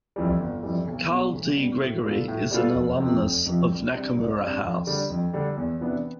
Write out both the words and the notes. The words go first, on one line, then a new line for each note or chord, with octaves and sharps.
Karl D. Gregory is an alumnus of Nakamura House.
F2 E3 G3
G1
F2 E3 G3
B1
B2 G3
B1
B2 G3
A2
G3 B3 F4 A4
A2
G3 B3 F4 A4
F1
F2 C3 F3
F1
F2 C3 F3
C2
C3 G3 D4
C2
C3 G3 D4
F2
D3 G3 D4
F2
D3 G3 D4
E2
C3 E3 B3 D4